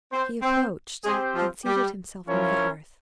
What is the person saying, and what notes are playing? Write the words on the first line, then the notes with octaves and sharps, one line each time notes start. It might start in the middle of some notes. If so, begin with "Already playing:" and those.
He approached and seated himself near the hearth.
C4 C5
C4 C5
G#3 C4 G4 G#4 C5
F3 F4
G3 G4
F3 C#4 E4 F4 A#4 C#5